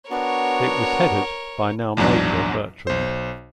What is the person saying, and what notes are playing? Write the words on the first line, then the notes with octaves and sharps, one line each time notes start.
It was headed by now-Major Bertrand.
B3 D4 F#4 A#4 C#5
A#1 E2 G#2 F#3 D4
B1 C5